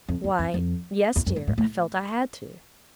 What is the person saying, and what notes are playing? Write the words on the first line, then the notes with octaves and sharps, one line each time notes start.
'Why--yes, dear--I felt I had to.'
F2
F#2
F2
F2
E2
F#2
G2
G#2
A2